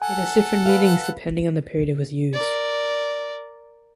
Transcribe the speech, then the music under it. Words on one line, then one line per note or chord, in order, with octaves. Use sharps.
It has different meanings depending on the period it was used.
A4 F#5 G#5
B4 F5
A#4 D5